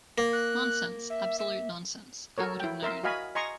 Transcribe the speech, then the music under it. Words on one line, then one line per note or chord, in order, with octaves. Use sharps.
Nonsense, absolute nonsense: I would have known.
A#3
F#6
E5
E5
F#4 A4 A#4 C#5
E4 G5
A#4 E5 C6
F#4 D#5 F5 G#5 B5
D#5 G#5 A#5 C6 C#6